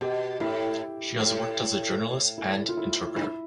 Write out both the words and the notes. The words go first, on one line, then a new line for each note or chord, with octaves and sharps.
She has worked as a journalist and interpreter.
B2 G4
A2 E4
A2
E4
F4
E4
G2 E4